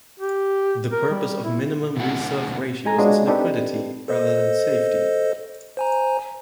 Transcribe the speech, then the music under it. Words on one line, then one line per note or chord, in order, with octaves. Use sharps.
The purpose of minimum reserve ratios is liquidity rather than safety.
G4
A#4
G3
E4
B2 D3 A3 E4 F#5
G#3 G#5 A#5
G#3 B3 D4 F4 F#4 C#5
C4 D4 D#4 G4 A4 B4
A4 C5 D#5
C5 G#5 A#5